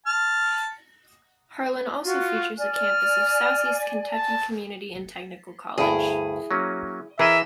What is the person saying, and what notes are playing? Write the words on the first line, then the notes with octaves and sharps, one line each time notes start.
Harlan also features a campus of Southeast Kentucky Community and Technical College.
A5 F6
F4 F#4
D5 G#5 F6
A5
D2 G2 E4 G#4
F#3 A#3 C#4
E3 G#4 A#4 D#5 E5